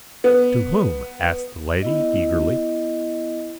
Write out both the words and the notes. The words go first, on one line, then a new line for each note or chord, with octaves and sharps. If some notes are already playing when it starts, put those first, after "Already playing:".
"To whom?" asked the lady, eagerly.
B3
B3 E4 D#5